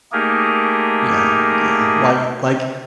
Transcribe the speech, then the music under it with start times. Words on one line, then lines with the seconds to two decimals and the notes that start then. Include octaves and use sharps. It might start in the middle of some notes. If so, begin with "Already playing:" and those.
Yeah, yeah. Like like,
0.12 A3 A#3 D#4 G4 G#4 A#4